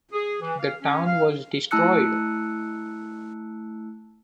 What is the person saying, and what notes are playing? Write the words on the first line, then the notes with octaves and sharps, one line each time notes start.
The town was destroyed.
G#4
E3
F5
C#4
F5
A3 E4 A5 E6 F#6 C#7